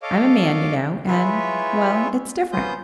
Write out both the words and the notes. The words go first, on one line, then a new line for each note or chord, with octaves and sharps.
I'm a man, you know, and--well, it's different.
A4 C#5 D#5 F5 D6
E4 F4 G#4 B4 C#5 E5
B3 C#4 F4 C5 D#6 G6